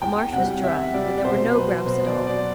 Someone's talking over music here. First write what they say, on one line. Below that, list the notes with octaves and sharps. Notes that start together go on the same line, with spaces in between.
The marsh was dry and there were no grouse at all.
E2 G5
C3 G3 F#5
E2 E5
C3 G3 D5
B2 C5
F#3 B4
B2 C5
D5
F#3
D5